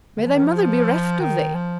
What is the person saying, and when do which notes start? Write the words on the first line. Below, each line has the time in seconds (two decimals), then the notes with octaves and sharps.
May thy mother be reft of thee!
0.17 D3
0.26 F3
0.34 D#3
0.43 F3
1.20 D#3
1.54 F3